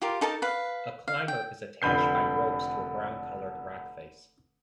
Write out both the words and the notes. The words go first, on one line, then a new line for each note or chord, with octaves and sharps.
A climber is attached by ropes to a brown colored rock face.
F4 G4 A#4
D#4 A4 A#4 A5
B4 F5
F5
G5
F1 D3 B5 G6 C7